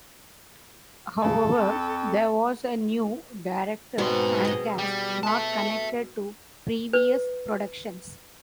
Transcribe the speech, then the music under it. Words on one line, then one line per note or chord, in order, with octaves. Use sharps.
However, there was a new director and cast, not connected to previous productions.
C#3 A4
F2
G#2 B2 B3 C4 C6
G#3 D#5
G3
E5 A5
B4